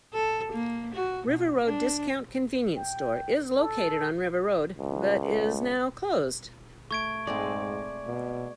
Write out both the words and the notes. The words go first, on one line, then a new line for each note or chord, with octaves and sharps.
River Road Discount Convenience store is located on River Road but is now closed.
A4
A#3
F#4
B2
D4
G5
A4
C#2
A3 C#6 G#6 D7
G#2 G#3 A3 C4 D5
B2